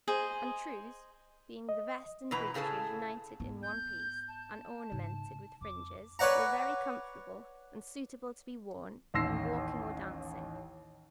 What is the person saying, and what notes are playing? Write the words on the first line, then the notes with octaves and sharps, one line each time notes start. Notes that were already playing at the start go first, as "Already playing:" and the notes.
And trews being the vest and breeches united in one piece, and ornamented with fringes, were very comfortable, and suitable to be worn in walking or dancing.
G#4 C5 D#5
D#5
B2 E3 B4 A#5
A2 C#3 G#4 A4 A5
G#2 B3
G6
A5
G#2 C#3
F2 D6
B4 C#5 D5 F#5 A#5
A1 D#2 C6 E6 A#6 C7